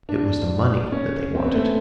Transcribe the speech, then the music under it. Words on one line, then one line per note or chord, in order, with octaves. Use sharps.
It was the money that they wanted.
D4
C#4
C4
B3
A3